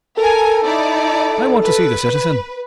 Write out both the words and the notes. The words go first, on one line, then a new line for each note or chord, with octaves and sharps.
I want to see the citizen.
A4 A#4 G#5
D#4 E4 D5
B4